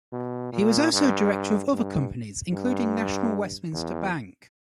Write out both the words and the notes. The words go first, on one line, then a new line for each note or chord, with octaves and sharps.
He was also director of other companies including National Westminster Bank.
B2
A#2
G2
G2
G2
E2